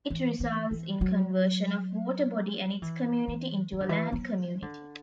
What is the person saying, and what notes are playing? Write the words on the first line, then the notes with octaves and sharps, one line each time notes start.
It results in conversion of water body and its community into a land community.
E3
E3
E3
F#3
E3
E3
E3
D3
E3
E3
F#3
D3